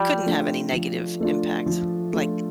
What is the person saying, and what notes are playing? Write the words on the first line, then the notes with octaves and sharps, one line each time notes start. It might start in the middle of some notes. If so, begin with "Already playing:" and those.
couldn't have any negative impact, like
Already playing: F3 G3
A3 D4 F4
F3
A3 D4 F4
F3
A3 D4 F4